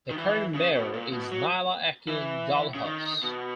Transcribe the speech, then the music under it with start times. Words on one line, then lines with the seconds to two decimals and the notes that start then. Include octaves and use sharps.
The current Mayor is Nyla Akin Dalhaus.
0.10 D#3
0.17 E3
0.54 C#3
0.75 B2
0.93 A#2
1.13 B2
1.31 F#3
2.08 E3
2.75 C#3
2.85 D#3
3.23 B2